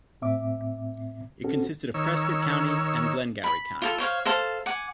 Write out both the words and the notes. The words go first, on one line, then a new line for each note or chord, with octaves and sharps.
It consisted of Prescott County and Glengarry County.
A2 C4 E5 D6
C4 C#4 F#4 A4
D#3 C#5 E6
B5
F4 G4 A4
C5 C#5 F5
A4 C5 F5 A5
F#5 G#5 D6